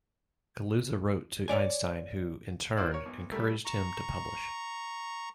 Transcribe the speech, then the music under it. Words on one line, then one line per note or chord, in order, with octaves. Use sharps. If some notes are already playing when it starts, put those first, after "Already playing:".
Kaluza wrote to Einstein who, in turn, encouraged him to publish.
C#5 D5 G#5
E4 C5 D5
A#4 C#5
B1
G3 A3 A4 A#4
A#5 C#6